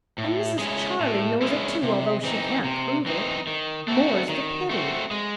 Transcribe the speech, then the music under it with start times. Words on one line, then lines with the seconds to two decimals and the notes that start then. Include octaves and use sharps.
And Mrs. Charley knows it too, although she can't prove it--more's the pity!
0.18 A2
0.59 G#3 C#4 E4
1.00 A2
1.42 G#3 C#4 E4
1.83 C3
2.24 E3 C4 D#4
2.64 C3
3.06 E3 C4 D#4
3.47 D#3
3.88 A3 C4 F#4
4.29 D#3
4.70 A3 C4 F#4
5.11 G#3